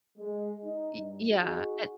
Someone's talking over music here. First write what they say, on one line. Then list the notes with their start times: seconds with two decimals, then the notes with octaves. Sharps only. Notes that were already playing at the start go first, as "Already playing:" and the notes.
It yeah, and
0.19 G#3
0.65 D#4
0.97 G2
1.29 D#4 F#4 G#4